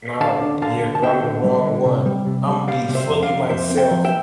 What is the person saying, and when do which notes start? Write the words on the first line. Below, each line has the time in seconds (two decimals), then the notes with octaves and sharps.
Naw, yeah, 'cause I'm the wrong one. Imma be fully myself.
0.21 D3 F5 A5
0.41 D4
0.62 D3 F5 A5
0.83 D3
0.95 A5
1.03 D3 E5 G5
1.24 D3
1.44 G3
1.65 D3
1.85 C3
2.06 G3
2.26 C3
2.47 G3
2.68 G3 D5 F5
2.88 C3
2.95 C5 E5
3.09 F2
3.23 D5 F5
3.29 C3
3.50 F2 C5 E5
3.70 C4
3.77 E5 G5
3.91 F3
4.05 E5 G5